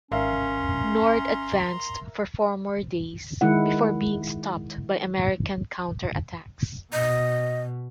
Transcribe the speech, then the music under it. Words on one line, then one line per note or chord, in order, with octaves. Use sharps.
Nord advanced for four more days before being stopped by American counterattacks.
G#1 C#4 A#4 E5 F5 A#5 C6
D#3 G#3 E4 F#5
B2 D#5